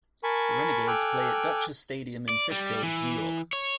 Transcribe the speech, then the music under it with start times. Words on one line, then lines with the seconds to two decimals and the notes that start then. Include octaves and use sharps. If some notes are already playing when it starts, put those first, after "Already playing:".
The Renegades play at Dutchess Stadium in Fishkill, New York.
0.24 A#4 G#5 A5 B5 C#6
0.87 A4 G5 G#5 D6 F6 F#6
2.29 D5
2.51 G3
2.83 E3
3.53 C#5